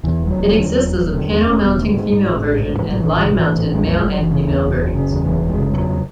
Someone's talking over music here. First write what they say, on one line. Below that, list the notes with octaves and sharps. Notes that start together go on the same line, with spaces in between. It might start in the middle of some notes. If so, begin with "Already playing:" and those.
It exists as a panel-mounting female version, and line-mounted male and female versions.
E2 E3
E1
F#3
E1
D3
E2
E1
E1
D3
E2
E1 C#4
E1 B3
D3 A3
G#2 G#3
G#2
A1
A1
G#2
G#2
E3
A1 F#3
E3
A1
E3
G#2 D3
F#3
G#2 E3
A1
A1
G#3
E2 F#3
F#1 G#3
F#3
F#1 E3
C#3
E2
F#1
F#1
C#3
E2
F#1 E3
F#1
G#3
C#3
E2 F#3